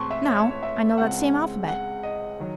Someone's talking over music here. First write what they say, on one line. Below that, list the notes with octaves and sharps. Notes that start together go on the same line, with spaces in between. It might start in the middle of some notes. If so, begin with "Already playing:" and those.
Now, I know that same alphabet.
Already playing: A1 A2 G#3 C4 A5 C6 C#6
E5
C#5
C#5
C#5
E5
C#2 C#3 G#3 C4 F#5
F#5
D#5
D#3 F#3